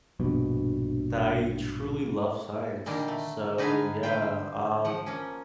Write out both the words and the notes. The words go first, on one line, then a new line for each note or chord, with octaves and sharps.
that I truly love science, so, yeah, um
A#1 G2 B2
A#2 D3 D#3 G3 A#3
A3
D3 D#4 B4 F5 G#5 A#5
B4 C5 F5 G5
F3 F#5
A#3 C#4